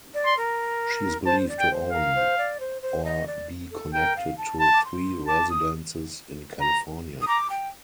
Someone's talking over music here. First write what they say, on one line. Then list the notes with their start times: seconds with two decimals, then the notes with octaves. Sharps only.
She is believed to own or be connected to three residences in California.
0.14 D5
0.25 C6
0.37 A#4
1.25 C5 A5
1.48 D5
1.59 G5
1.71 C5
1.92 A#4 F5
2.15 C5
2.38 D5
2.60 C5
2.82 C5
3.04 D#5
3.27 D5
3.71 A4
3.93 A#4 G5
4.16 F5
4.38 A5
4.60 A5 C6
4.73 D6
4.84 C6
5.27 A5 D6
5.49 D#6
6.61 A#5
7.21 D#6
7.27 A#5 D6
7.50 G5